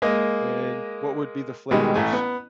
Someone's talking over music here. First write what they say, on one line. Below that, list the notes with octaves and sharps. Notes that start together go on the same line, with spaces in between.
And what would be the flavors
G#3 A#3 D#5
B2 D#3 G3 G#3
A1 A3 G#5
B3